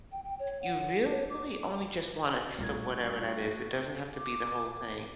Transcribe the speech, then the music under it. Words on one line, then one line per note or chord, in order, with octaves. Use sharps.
you really only just want it as to whatever that is, it doesn't have to be the whole thing.
G5
G5
C#5
F#5
C#5
D6
C2 G2 A#2 A3 F#4 G#6
D6